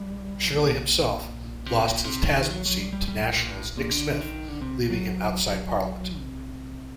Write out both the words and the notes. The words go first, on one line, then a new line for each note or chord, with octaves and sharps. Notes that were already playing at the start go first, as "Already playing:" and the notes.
Shirley himself lost his Tasman seat to National's Nick Smith, leaving him outside Parliament.
Already playing: G3
A#2
C3
A#2
C3
D#3
D#3
F#3
F#3
G3
G3
G3
A2
A#2
A2
A#2
D3
D#3
D3
C3
F#3
C3